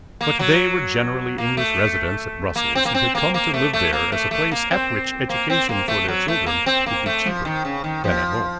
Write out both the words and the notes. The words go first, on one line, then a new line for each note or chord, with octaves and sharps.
But they were generally English residents at Brussels, who had come to live there as a place at which education for their children would be cheaper than at home.
A#3
F#3
A#3
A3
A#3
C4
A#3
C4
A#3
A#3
A3
A3
A#3
A3
A3
A#3
C4
A#3
C4
A#3
A3
F#3
A3
A#3
C4
A#3
A3
F3
D#3
C#3
D#3
F3